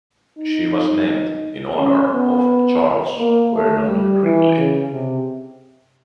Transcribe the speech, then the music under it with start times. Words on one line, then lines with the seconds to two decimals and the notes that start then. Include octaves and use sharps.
She was named in honor of Charles Vernon Gridley.
0.38 D#4
1.79 C#4
2.13 B3
3.18 A#3
3.53 A3
3.87 G3
4.23 E3
4.57 C#3
4.92 C3